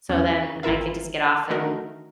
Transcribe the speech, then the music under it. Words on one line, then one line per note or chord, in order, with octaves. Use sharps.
so then, I could just get off and,
E2 C#4
G#1 E3 E4 F4 A#4 E5
D#3 A3 D#4 F#4 A#4